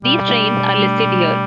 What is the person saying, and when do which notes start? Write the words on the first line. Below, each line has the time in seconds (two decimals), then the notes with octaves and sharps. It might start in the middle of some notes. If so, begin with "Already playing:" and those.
These trains are listed here.
0.03 B2 G3
0.28 A3 D4
0.55 B2
0.80 A3 D4
1.05 B2